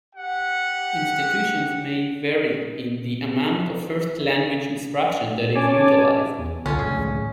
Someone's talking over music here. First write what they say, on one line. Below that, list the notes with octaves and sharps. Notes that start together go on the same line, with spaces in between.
Institutions may vary in the amount of first-language instruction that is utilized.
G4 F#5
C#4 G#5 A5 D6
E2
C2 D3 C#4 F4 A5
C#2 A2 D#3 G#4